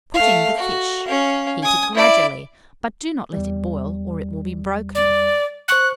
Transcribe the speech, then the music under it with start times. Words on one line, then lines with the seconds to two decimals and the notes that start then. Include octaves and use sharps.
Put in the fish; heat it gradually; but do not let it boil, or it will be broken.
0.14 A3 F5
0.57 F#4
1.05 C#4 F5
1.62 G#5 D#6
1.95 E4 D5
3.33 E2 G3
4.95 D5
5.68 C5 C#6 F#6 C#7